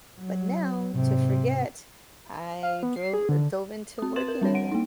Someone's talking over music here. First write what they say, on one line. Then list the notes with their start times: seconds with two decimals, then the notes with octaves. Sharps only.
but now to forget, I drove dove into working again.
0.19 F#3
0.91 G#2 C3
2.63 F5
2.83 B3
2.96 C7
3.13 G#4
3.29 D3
3.99 C4 D#6
4.16 B4 C6 A6 E7 F#7
4.28 A#4
4.41 G3 C4 D4 C#5
4.54 F#5 D7
4.72 A#3 D#4